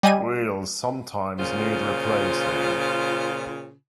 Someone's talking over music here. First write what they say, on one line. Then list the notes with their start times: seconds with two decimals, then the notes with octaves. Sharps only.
Wheels sometimes need replacing.
0.03 G3 D#5 G#5 D#7
1.39 A#2 C#3 F4 C5